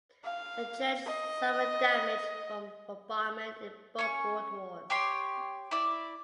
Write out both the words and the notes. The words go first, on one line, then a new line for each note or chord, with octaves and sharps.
The church suffered damage from bombardment in both World Wars.
F5
D#5
C#4 C#6
G4 C#5 C6
E4 D5